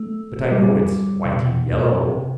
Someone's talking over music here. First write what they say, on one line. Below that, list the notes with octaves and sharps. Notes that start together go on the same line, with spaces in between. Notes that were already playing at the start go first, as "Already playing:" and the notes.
But I know it's whitey yellow.
Already playing: A3
G3
C3
B2
C3